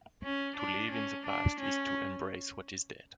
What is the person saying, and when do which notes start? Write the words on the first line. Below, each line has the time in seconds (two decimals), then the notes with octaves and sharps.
To live in the past is to embrace what is dead.
0.23 C#4
0.57 D4
0.92 C#4
1.27 D4
1.61 C#4